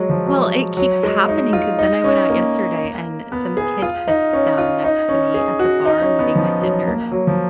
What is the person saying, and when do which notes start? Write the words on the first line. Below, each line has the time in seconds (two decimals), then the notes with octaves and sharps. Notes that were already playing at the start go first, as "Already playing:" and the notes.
well, it keeps happening 'cause then I went out yesterday, and some kid sits down next to me at the bar, I'm eating my dinner,
Already playing: F#3 G#3
0.10 F3
0.27 F#3
0.77 F#3
1.03 G#3
1.28 D#4
1.53 F4
1.79 D#4
2.04 C#4
2.29 A#3
3.32 B3
3.57 G#4
3.82 F4
4.08 D#4
4.33 C#4
4.58 F4
4.84 D#4
5.09 C#4
5.34 G#4
5.59 F#4
5.85 D#4
6.02 C#4
6.19 B3
6.35 F3
6.61 F#3
6.87 A#3
7.11 F#3
7.27 F3